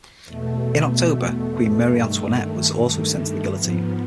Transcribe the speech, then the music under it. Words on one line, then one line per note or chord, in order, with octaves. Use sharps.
In October, Queen Marie Antoinette was also sent to the guillotine.
E2 B2 A3
A3
A3
G2 D#3
G#2 F3 B3